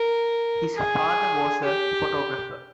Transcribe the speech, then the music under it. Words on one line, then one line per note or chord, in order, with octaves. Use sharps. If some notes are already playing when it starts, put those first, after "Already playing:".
His father was a photographer.
Already playing: A#4
G#4
G4